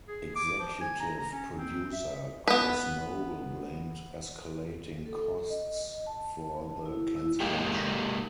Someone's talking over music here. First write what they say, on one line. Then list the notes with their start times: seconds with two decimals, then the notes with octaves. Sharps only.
Executive Producer Kris Noble blamed escalating costs for the cancellation.
0.08 G#4
0.35 D6
0.59 F3
0.80 G#5
1.00 A#5
1.18 A#5
1.32 C#4
1.57 C4
1.92 E5
2.48 B3 B4
5.06 A4
5.50 D#5
6.07 A5
6.86 E4
7.16 E4
7.40 G#3 A#3 D#4 G4